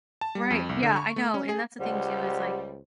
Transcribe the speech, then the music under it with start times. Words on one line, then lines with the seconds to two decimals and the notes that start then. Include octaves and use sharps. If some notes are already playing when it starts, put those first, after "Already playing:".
Right, yeah, I know, and that's the thing too, is, like,
0.21 A5
0.35 G3
0.50 F2
0.69 C2
0.83 D3
0.96 C#6
1.16 A3
1.34 C#4
1.49 G#4
1.80 C#2 G3 C5 F#5